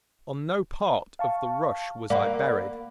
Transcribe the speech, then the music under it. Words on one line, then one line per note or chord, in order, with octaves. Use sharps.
On no part of the rush was I buried.
F5 A5 C#6
A#3 D5 F#5 B5